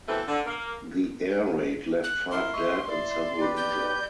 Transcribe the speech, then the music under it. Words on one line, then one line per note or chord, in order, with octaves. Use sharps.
The air raid left five dead and several injured.
B2 E3 A3 C4 A4 B4
D3
A#3
F#6
E4 F4 A#4 C6
D#5 E5 C#6
E4 D5
G4 B4
G6